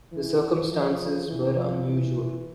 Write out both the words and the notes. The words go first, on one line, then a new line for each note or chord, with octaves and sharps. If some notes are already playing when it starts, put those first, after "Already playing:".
The circumstances were unusual.
E3
F3
E3
F3
E3